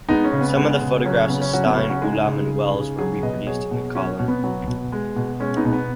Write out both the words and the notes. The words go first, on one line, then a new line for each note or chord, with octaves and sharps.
Some of the photographs of Stein, Ulam, and Wells were reproduced in the column.
G#3 B3 D#4
C#4
C#3
B3
G#3 B3
C#3
F#3 C#4
C#4
C#3 B3
C#4
F#3 C#4 F#4
B3
C#3 C#4
C#4 F#4
G#3 D#4 G#4
C#3
G#3
C#3
F#3 G#4 C#5
B2 B4 D#5
F#3 G#4 C#5
B2
F#3 C#4 F#4
C#4
B2
B3
F#3 B3
B2
G#3
B2
G#3 C#4
B3 D#4
B2
B3